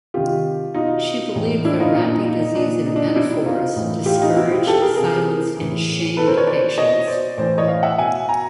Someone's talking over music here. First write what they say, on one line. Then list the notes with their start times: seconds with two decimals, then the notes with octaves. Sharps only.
She believed that wrapping disease in metaphors discouraged, silenced, and shamed patients.
0.14 C3 D#3 F4 G4
0.74 B2 D#4 F4
1.35 A2 E3
1.65 D4 E4
1.80 D#4 F4
1.95 A#2 D#4
2.05 D4
2.15 D#4
2.26 D#4
2.40 D#4
2.55 A#2 D4
2.86 D#4
2.96 D4
3.05 D#4
3.16 B2 D4 E4
3.30 D#4
3.46 D#4 F4
3.76 A2 E3
4.06 F4 G4
4.22 D#4 F4
4.36 B2 E4 F#4
4.51 F4 G4
4.67 G4 A4
4.81 G#4 A#4
4.96 C3 E3 G#4 A#4
5.56 A2 E3
6.17 B2 A4 B4
6.27 A#4 C5
6.37 B4 C#5
6.47 C5 D5
6.77 B2 C#5 D#5
7.07 C5 D5
7.37 A2 E3 C5 D5
7.58 C#5 D#5
7.68 D#5 F5
7.83 E5 F#5
7.98 B2 F#5 G#5
8.29 G#5 A#5